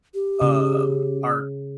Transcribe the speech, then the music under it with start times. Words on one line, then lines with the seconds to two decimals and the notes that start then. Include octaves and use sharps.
um, our
0.14 G4
0.41 C#3